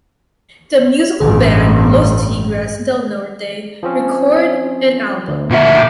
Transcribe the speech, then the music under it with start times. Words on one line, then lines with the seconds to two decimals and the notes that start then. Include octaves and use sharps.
The musical band Los Tigres del Norte record an album.
1.20 A1 G2
3.83 F3 C4 C#4
5.28 D2
5.51 A#2 F#4 E5
5.76 G5 D6